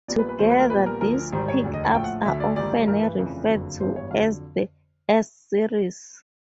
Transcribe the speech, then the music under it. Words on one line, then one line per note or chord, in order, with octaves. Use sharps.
Together, these pickups are often referred to as the S-series.
A#1 A#2 G3 B3 D5
B4
B4
D#2 D#3 F#3 A3 C5
B4
A#4
A#1 A#2 G3 B3 B4
A#4
D2 D3 F3 A#4
G#1 G#2 D#3 G3 C5
C#5
E1 D2 D3 F#3
D#5
F#5
A#1 A2 F3 A3 G5
F#5
D2 D3 F#3 E5
D5
A#1 G#2 D#3 G3 D5
G2 E3 A3 A#4
B4
F1 F2 C#3 E3
F#1 F2 D3 F#3
G#1 G2 E3 G3 B3 C5
C#5
F2 D3 F#3 F5